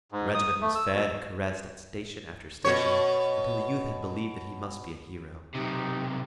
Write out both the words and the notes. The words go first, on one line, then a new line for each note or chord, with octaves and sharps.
The regiment was fed and caressed at station after station until the youth had believed that he must be a hero.
G#2
D#6
A3
E6
B2
B2 C#5
B1 C3 D#4 G4